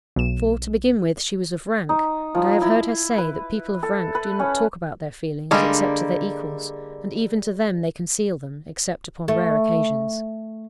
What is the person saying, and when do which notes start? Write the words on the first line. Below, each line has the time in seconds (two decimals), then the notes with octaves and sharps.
For, to begin with, she was of rank: and I have heard her say that people of rank do not talk about their feelings except to their equals, and even to them they conceal them, except upon rare occasions.
0.16 B1 E7
1.89 D#4
2.35 F3
2.62 E4
3.18 B4
3.83 A4
4.15 B4
4.40 C#4
5.51 D3 G3 G#3 A#3 G#4
9.28 A3